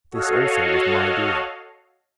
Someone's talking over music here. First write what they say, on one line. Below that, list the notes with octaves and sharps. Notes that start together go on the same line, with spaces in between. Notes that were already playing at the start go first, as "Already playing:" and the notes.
This also was my doing!
F#4 A4 C#5 D#5 F5 F#5